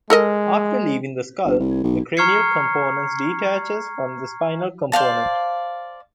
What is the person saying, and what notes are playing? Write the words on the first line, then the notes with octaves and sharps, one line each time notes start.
After leaving the skull, the cranial component detaches from the spinal component.
G#3 A4 A#4 D#5
G1
C2
B1
A#5 C#6 F6 G#6 C7 C#7
C5 D5 F5 A5